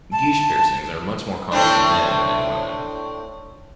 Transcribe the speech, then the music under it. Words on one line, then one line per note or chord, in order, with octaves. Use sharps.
Guiche piercings are much more common in men than in women.
A5
A2 C4 D4